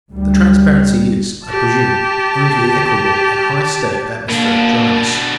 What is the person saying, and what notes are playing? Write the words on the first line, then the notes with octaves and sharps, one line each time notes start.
The transparency is, I presume, owing to the equable and high state of atmospheric dryness.
D2 G3
G4 A5
B2 A#3 D4